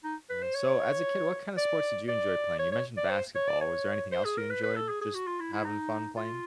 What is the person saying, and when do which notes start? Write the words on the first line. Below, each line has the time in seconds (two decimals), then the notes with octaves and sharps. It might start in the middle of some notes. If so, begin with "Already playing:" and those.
Yeah, so as a kid, what kind of sports did you enjoy playing? You mentioned basketball, was there anything else you enjoyed just having fun playing?
0.04 D#4
0.30 B4
0.42 C5
0.55 C#5
1.57 D5
2.08 D5
2.59 C#5
2.72 C#5
2.97 D5
3.10 C5
3.35 C#5
3.49 D5
3.61 C#5
4.12 C5
4.25 G#4
4.38 A#4
4.50 B4
4.63 B4
4.76 A4
4.89 G#4
5.01 G#4
5.14 F#4
5.27 F4
5.40 E4
5.53 E4
5.65 D#4
6.16 F4